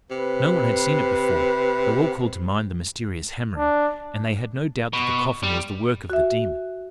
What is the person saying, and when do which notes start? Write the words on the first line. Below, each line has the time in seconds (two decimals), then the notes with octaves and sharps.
No one had seen it before, though all called to mind the mysterious hammering; and they had no doubt that the coffin was the work of the demon.
0.11 C3 B4
3.58 D4
4.93 B2
5.43 G3
6.10 F#4 E5